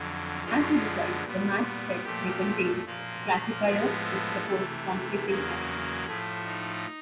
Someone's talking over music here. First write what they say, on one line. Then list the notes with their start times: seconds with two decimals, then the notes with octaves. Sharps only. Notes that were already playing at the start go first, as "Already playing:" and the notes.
As a result, the match set may contain classifiers that propose conflicting actions.
Already playing: F2 D3 F#3
0.44 F#2 D3 F3 G#3 B3 F4
1.24 A#2 G3 B3
2.04 A#2 F3 A3 G4
2.85 A#2 F3 A#3
3.64 A2 F3 G#3 B3 G#4
4.05 A4
4.45 C3 E3 A3
5.26 E2 C#3 F#3 A#3
6.06 A2 F3 A3 G#4
6.46 D#4